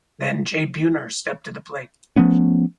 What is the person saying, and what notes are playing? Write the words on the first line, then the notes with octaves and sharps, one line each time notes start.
Then Jay Buhner stepped to the plate.
F3 A3 B3 C#4